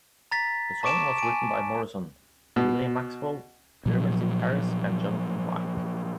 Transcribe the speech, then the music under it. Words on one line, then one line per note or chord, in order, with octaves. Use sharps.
The song was written by Morrison, William Maxwell, Pyramids in Paris, and Jonathan White.
A#5 A6 B6
A5 C#6 D6 D7 E7
G#5 D7
B2
A#2 F3 F#3